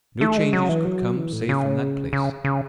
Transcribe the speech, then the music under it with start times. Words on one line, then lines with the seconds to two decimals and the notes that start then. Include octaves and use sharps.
No changes could come save from that place.
0.21 A3
0.37 G#3
0.53 F#3
0.69 E3
0.85 F#3
1.17 E3
1.33 A2
1.49 C#3
2.13 C#3
2.45 C#3